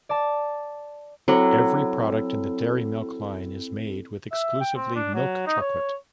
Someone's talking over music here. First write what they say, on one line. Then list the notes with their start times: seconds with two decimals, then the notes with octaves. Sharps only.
Every product in the Dairy Milk line is made with exclusively milk chocolate.
0.09 D5 A5
1.28 F#3 C4 E4 A4
4.32 E5
4.60 G5
4.75 C4
4.95 D4
5.14 F#3
5.46 D#4
5.61 C#5